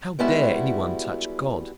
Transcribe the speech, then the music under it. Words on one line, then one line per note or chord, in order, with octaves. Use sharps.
How dare any one touch God?
G3 G#3 B3 E4 F#4 E5